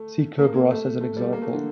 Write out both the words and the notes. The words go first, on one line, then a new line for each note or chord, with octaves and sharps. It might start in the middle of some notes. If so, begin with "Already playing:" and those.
See Kerberos as an example.
Already playing: A3
A#3
A#3
A3
A3
G3
A#3
A3
D3